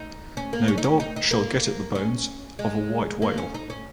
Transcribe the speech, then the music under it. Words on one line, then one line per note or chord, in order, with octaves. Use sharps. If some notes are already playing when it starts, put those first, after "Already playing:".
No dog shall get at the bones of a white whale.
Already playing: D#4
C#4
A#3
C#4
D#4
C#4
D#4
D#4
A#3
C#4
G#3
A#3
C#4
D#4
C#4